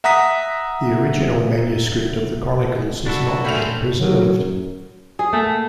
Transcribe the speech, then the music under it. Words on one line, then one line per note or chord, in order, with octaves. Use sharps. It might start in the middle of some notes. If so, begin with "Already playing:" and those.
The original manuscript of the chronicles has not been preserved.
E5 F#5 A#5 D#6 B6
D4 E4 F#4 A4
A3 C4 C#4 B5 F7
F#3
F#2
G#4
A3 A#3 F#5